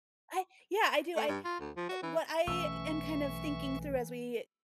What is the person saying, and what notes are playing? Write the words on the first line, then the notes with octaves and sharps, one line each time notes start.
I yeah, I do I eh, what I am kind of thinking through as we, eh,
A3
G2
F4
D2
F3
F#4
E3
B1 E3 A3 C#4 E5 C#6 E6